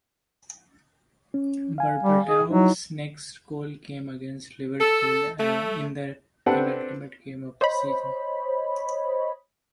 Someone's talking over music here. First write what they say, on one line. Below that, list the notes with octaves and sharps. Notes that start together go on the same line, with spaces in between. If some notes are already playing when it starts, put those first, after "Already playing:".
Berbatov's next goal came against Liverpool in the penultimate game of the season.
C#4
F5 G#5
G3
G#4
F#3 D#4 E4
A4
A3
C4 D4 G4 A4 B4 F#5
C5 C#5 D#5 B5